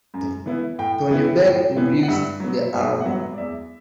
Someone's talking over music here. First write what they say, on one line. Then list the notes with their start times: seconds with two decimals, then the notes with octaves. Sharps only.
Tony Berg produced the album.
0.14 F#2
0.46 E3 B3 E4
0.79 A2 G5
1.11 E3 B3 E4
1.44 A2
1.76 E3 B3 E4
2.03 F#5
2.08 G2 E5
2.40 F#3 B3
2.73 G2 E5
3.00 F#5
3.05 F#3 B3 E5
3.33 D5
3.38 E2 E5